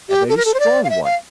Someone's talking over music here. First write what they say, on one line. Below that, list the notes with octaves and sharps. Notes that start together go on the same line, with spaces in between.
A very strong one.
G4
A4
A#4
A4
C5
D5
F5
E5
F5